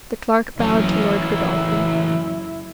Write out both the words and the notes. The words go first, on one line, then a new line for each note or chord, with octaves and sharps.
The Clerk bowed to Lord Godolphin.
F#1 E3 F#3 C#4 E4